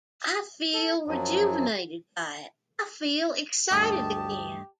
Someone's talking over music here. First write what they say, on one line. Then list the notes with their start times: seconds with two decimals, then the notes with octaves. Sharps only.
I feel rejuvenated by it, I feel excited again.
0.73 A4
1.07 F#2 F3 F#3
3.71 D2 G2 A3 G4 D#5 A5